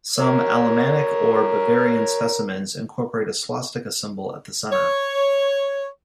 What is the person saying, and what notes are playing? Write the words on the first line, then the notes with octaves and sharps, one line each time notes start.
Some Alemannic or Bavarian specimens incorporate a swastika symbol at the center.
A#4 C#5
C#5